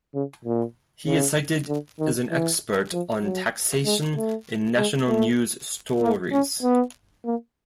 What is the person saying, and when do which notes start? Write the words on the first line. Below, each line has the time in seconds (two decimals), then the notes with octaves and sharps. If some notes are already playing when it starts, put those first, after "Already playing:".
He is cited as an expert on taxation in national news stories.
0.14 C#3
0.44 A#2
1.06 C#3
1.68 D3
2.00 D#3
2.30 E3
2.92 F3
3.22 F#3
3.85 G#3
4.16 A3
4.77 G#3
5.08 A3
6.01 A#3
6.31 C#4
6.62 B3
7.25 A#3